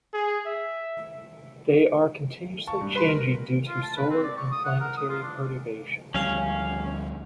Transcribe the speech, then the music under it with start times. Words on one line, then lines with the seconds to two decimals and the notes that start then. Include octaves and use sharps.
They are continuously changing due to solar and planetary perturbations.
0.14 G#4
0.46 E5
2.67 F5 A5 C#6
2.81 G2
2.95 B4 B5 C6
3.09 A#4
3.68 F4
3.83 A5
3.97 B4
4.10 C4
4.23 D5
4.37 C#6
4.52 D#6
4.65 F#5
4.80 A#4
4.97 D#6
5.09 F4
5.23 D4
6.14 D2 F3 G3 C#4 F5